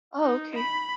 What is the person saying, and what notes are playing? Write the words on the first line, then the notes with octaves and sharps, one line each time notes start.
Oh, okay.
D#4
B5